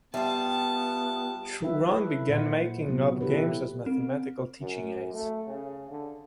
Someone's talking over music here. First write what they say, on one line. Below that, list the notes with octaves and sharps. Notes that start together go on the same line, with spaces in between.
Truran began making up games as mathematical teaching aids.
G3 B3 F4 E5 G5 A5
F#3 B4 E5
E4 A4 B4
A#2 C5 F#5
C3 F#3 B3
E4 G4 A4 B4
C4
F#2
A3
C#3
D3